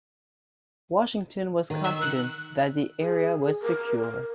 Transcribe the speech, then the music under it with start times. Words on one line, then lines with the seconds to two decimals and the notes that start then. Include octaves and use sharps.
Washington was confident that the area was secure.
1.70 D#3
1.84 E6
2.01 F#6
3.01 G#4
3.62 A#4
4.02 A#4